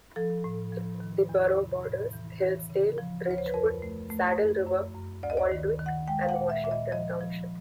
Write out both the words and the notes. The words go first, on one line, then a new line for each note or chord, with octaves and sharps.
The borough borders Hillsdale, Ridgewood, Saddle River, Waldwick, and Washington Township.
F3 A4
A2
F3
D#3
E2
C3
A2
E3
E3
C#3
F3
D2 C#5
C5
B4
F2 A#4
A3
A3
F#2
F#2
F#2
D2 D5
D#5
D5
D#3
D#3
F#5
G#3 G5
F5
F#5
A#2
E5
A#2 E5
D#5
F3 D#5
F3